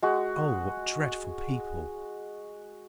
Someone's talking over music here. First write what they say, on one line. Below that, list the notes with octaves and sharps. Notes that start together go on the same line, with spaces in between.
Oh, what dreadful people!
G#3 F#4